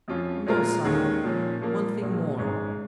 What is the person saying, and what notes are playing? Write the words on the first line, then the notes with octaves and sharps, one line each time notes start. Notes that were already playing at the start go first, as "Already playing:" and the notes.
"No, sire, one thing more."
F2 F3 C#4 F4
A#2 G#3 F4 A#4
D#2 D#3 G#3 C#4
A#2 F3 C#4
A#2 F3 A#3
A#1 A#2 G#3
G#1 G#2 G#3 C#4 G#4